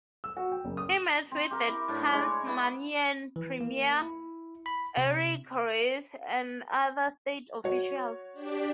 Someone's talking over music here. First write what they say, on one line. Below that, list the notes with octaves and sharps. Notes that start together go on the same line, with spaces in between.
He met with then Tasmanian Premier Eric Reece and other state officials.
E6
F#4
G5
F#1
D#6
C4
G4 A#4
E4
A2 D4 D5
G#3 C#5
B3 E4 B4
E3
A#3
E4
B5
C3
F#4 C#5
D4 G4